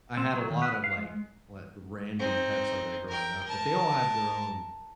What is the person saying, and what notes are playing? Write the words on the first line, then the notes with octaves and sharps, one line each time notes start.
I had a lotta, like, like, random pets like that growing up, but they all have their own
C4
F#3
D#3
B4
F5
G#3
C4 D#4
A#4 G5
A#4 A5